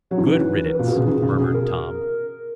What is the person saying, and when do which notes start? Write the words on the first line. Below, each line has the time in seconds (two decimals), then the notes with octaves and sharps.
"Good riddance," murmured Tom.
0.11 F#3 C#5
0.18 E3
0.26 D#3 B4
0.35 E3
0.65 A#4
0.74 A#2 B4
0.87 B2 G#4
0.97 C#3
1.07 D#3
1.22 C#3
1.33 C#3
1.38 B2 G#4
1.54 A#4